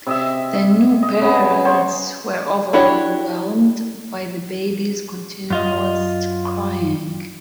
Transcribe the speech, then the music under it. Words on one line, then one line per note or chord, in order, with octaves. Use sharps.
The new parents were overwhelmed by the babies continuous crying.
C3 D#5 E5
D#5
C#3 B3
C5 C#5 F#5
D4 E4 F#4 G4 C#5
F#2 F4 D#5